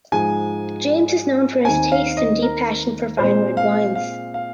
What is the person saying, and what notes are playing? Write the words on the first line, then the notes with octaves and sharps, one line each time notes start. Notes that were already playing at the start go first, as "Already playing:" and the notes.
James is known for his taste and deep passion for fine red wines.
G#2 F3 G#3 G#5
D#2 D#3 C4 G#5
F5
D#5
A#4
A#2 G#3 C4 C5
F5
F5
F5